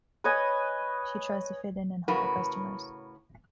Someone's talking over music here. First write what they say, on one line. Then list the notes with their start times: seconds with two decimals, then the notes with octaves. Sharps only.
She tries to fit in and help her customers.
0.24 B4 C#5 D#5 G#5
2.08 A2 C#3 F#4 A#4 B4